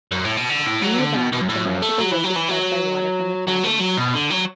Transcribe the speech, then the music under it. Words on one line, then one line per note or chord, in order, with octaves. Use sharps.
Nearby the magical lake is fed by water from the cavern.
F#2
A2
B2
D3
A2
F#3
D3
B2
B2
F#2
A2
F#2
A3
F#3
E3
F#3
E3
F#3
F#3
A3
F#3
B2
D3
F#3